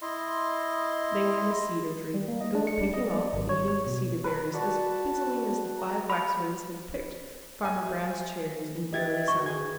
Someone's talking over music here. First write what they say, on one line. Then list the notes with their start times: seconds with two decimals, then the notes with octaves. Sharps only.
They were in a cedar tree and were picking off and eating the cedar berries as busily as the five Waxwings had picked Farmer Brown's cherries in the early summer.
0.02 E4 D#5 C6
2.14 G3
2.28 A#3
2.41 D#5
2.55 D4
2.67 C#7
2.81 G3
2.94 D#5
3.07 D5
3.33 G#1
3.49 C#5
3.68 C#5
3.86 B2
4.24 B4 B5
4.53 F#4 D5 F#5 A5
5.78 A#5
6.10 B5
7.61 E5 G#5
8.93 E4 G4 D#5 G5 G#6 A6
9.28 F#4 C#6
9.46 G#4 B4 G#6